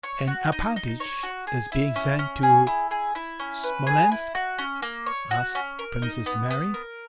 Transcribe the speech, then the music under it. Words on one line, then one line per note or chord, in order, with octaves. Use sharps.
"And Alpatych is being sent to Smolensk?" asked Princess Mary.
C#5
F#4
D#4
D#4
C#5
F#4
G#4
E4
C#4
C#4
G#4
E4
G#4
E4
C#4
B4
G#4
E4
F#4
C#4
A#3
C#5
F#4
C#4
A#4
D#4
B3
B3
A#4